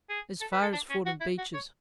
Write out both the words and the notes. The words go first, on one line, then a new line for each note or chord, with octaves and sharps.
'As far as Fordham Beeches.
G#4
A4
B4
A4
D4
C#4
F#4
E4
F#4
C#5